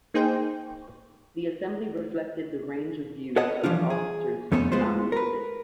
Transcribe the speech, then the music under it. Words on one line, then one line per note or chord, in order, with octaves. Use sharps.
The assembly reflected the range of views of the officers who nominated it.
A#3 D#4 G#4 C5 G5
A4 B4 C#5 D#5 F#5 A5
E3 F3 G3 D4 F4
G#4
F2 A3 B3 C#4 F4 A4
G#3 B3 F4 C5
A#4 B4